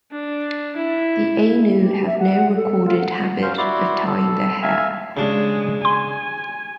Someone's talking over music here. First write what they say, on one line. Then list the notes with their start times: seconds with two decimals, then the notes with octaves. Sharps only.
The Ainu have no recorded habit of tying their hair.
0.11 D4
0.75 E4
1.79 G4
2.06 E5
2.19 F#5
2.56 A4
2.86 F4
2.99 F#5
3.42 F#3 C#4 C5 F5
3.58 E4 F#4 D5 C6
4.07 A4
4.63 E5 F5 G#5
5.17 C#3 G#3 D4
5.85 G#5 C6